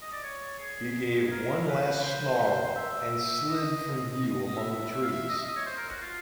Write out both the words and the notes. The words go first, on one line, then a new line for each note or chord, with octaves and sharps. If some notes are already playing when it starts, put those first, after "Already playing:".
He gave one last snarl and slid from view among the trees.
D#5
D5
C#5
G#4
A#4
B4
C5
E5
D#5
E5
E5
F5
E5
D#5
E5
D#5
C#5
C5
A#4
F#4
F4